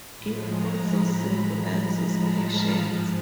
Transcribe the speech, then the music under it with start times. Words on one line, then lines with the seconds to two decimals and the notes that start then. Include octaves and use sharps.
It also symbolizes patience.
0.17 A2 F3 G#3 B5
0.50 A#5
0.84 B5
2.14 A5
2.48 F5
2.80 G#2 F3 G#3